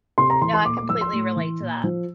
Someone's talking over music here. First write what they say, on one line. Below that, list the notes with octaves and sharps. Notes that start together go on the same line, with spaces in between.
no, I completely relate to that.
C3 C6
A#5
E3 C6
C6
A#2 D6
D6
F3 E6
C6
A2
E3
A#2
F3